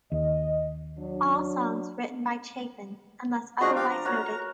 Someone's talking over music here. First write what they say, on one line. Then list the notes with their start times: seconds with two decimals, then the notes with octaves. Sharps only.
All songs written by Chapin unless otherwise noted.
0.12 D#2 D#5
0.99 F#3 D4
3.61 F3 D4 F#4 G#4 A#4 D#5
3.76 G4 F5
3.90 A#5
4.05 F#4 A#4 C#5